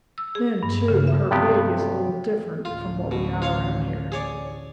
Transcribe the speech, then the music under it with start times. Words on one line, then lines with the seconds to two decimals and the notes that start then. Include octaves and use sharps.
Then, too, her rig is a little different from what we have around here.
0.18 E6
0.35 G#4
0.63 G2
0.88 C#3
1.07 E5
1.31 G2 C3 B3 G4
2.65 A1 D2 F4
3.11 B2
3.42 F4 C#5 F5
4.12 G#4 C#5 D5